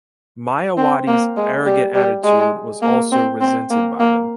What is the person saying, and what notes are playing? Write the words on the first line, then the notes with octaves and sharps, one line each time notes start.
Mayawati's arrogant attitude was also resented by them.
C4
A#3
G#3
G3
G3
G#3
A#3
C4
C4
A#3
A#3